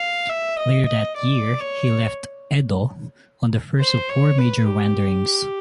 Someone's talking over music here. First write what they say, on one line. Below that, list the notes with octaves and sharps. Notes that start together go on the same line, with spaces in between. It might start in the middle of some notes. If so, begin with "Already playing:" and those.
Later that year he left Edo on the first of four major wanderings.
Already playing: F5
E5
D#5
D#5
D5
C#5
C5
C#5
B4
G4